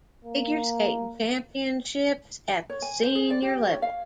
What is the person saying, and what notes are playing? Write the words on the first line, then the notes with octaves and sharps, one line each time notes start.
Figure Skating Championships at the senior level.
A#3
C#5
G#5
C5
G#4
D5
G4
C#5
F5